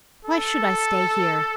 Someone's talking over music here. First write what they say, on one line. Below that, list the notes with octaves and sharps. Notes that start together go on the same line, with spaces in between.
Why should I stay here?
A4